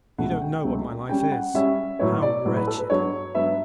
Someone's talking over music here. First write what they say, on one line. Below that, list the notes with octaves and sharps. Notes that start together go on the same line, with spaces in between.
You don't know what my life is,--how wretched.
C#2 B2 F#3 A3 F#5
G5
C#2 B2 F#3 A3
C#3 G3 C#4 G5
F#5
C#3 G3 C#4 E5
A2 F#3 B3 C#5
D5
A2 F#3 B3
B4
A4
B4
G2 F#3 B3 C#5
G2 F#3 B3 E5